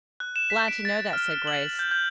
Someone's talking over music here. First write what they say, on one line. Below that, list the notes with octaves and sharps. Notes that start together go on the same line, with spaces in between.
"Glad to know that," said Grace.
F#6
E7
B6
D7
A6
F6
F#7
G6
G6